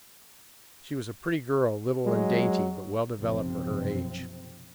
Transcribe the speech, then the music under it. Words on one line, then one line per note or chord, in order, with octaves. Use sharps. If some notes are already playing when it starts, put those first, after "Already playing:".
She was a pretty girl, little and dainty, but well developed for her age.
F#3 G#3
F#1 B1 C3 F3 C4